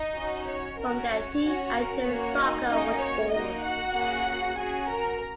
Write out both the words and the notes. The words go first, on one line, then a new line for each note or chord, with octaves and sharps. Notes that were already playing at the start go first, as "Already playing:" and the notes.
From there T and J Soccer was born.
Already playing: D#4 D#5
C#4 F#4
C#5
C#4 F#4 A#4
C#5
C#4 F#4
A#4
A#3 C#4 F#4 C#5
D#4 D#5
A#3 C#4 D#4 F#4 D#5
C#5
A#3 D#4 F#4 D#5
F#4 F#5
A#3 C#4 G#4
C#4 F#4 G#4 G#5
A#4 A#5